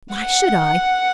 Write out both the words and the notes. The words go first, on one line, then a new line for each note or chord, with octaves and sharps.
"Why should I?"
F#5